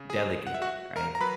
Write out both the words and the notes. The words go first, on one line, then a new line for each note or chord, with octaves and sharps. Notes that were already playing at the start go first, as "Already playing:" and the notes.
delegated, right?
Already playing: C#3
G#4 G#5
F#5
E5
F#4 F#5
A#4 A#5
A#5
F#3 B4 B5